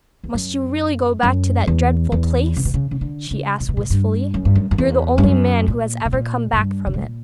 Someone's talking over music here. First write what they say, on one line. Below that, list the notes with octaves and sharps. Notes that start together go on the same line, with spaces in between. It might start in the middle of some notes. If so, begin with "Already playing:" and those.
'Must you really go back to that dreadful place?' she asked wistfully. 'You are the only man who has ever come back from it.'
E2
F#2
F#2
E2
E2
C#3
B2
C#3
C#3
D3
C#3
A#2
B2
A#2
G2
F#2
G2
F#2
F#2
E2
G2
F#2
A#2
B2
A#2
A#2
G2
C#3
B2
A#2